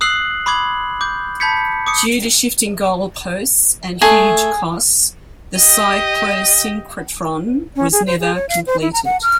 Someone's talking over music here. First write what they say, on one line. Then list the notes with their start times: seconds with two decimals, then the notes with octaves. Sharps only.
Due to shifting goalposts and huge costs the cyclo-synchrotron was never completed.
0.01 D#6 E6 F#6 C7 F#7
0.46 B5 C6 D6 D#6 G#6 F#7
1.01 D6 G6
1.40 A5 B5 G6 G#6 B6 C#7
1.87 D6 D#6 C#7
4.02 A3 G#4
5.57 G4 D#5
7.76 C#4
7.92 G#4
8.07 C5
8.20 G#4
8.35 C#5
8.49 F5
8.67 C5
8.81 E4
8.93 A#5
9.05 F#5
9.23 F6